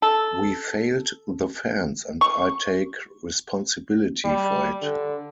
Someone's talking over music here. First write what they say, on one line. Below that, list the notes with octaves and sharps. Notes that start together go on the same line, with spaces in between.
We failed the fans and I take responsibility for it.
A4
C#6
G3
D3